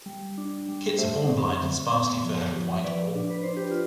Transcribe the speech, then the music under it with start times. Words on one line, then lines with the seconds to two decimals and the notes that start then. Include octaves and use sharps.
Kits are born blind and sparsely furred with white wool.
0.06 G3
0.38 D4
0.69 G3
0.98 A3 C5 E5
1.30 C4
1.61 D3
1.91 B3
2.23 F3
2.53 F3
2.74 E5
2.84 F3 B4 D5
3.15 D4
3.30 B4
3.43 D4 C5
3.56 G4 B4
3.71 F4